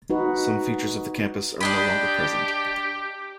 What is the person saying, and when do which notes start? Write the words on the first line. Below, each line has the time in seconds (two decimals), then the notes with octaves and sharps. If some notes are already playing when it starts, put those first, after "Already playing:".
Some features of the campus are no longer present.
0.10 D#4 F#4 B4
1.61 D4 G4 D#5 B5